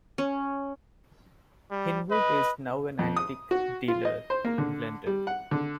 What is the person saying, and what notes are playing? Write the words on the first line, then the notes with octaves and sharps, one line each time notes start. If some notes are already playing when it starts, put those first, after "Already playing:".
Hinwood is now an antiques dealer in London.
C#4
G3
B4 D#5
F2
D#6
F#4
F4
D#5
C5
A#3
D3
G3
F#5
D3